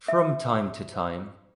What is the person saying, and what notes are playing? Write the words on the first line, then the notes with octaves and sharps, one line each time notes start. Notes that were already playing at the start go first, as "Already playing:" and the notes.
From time to time.
E5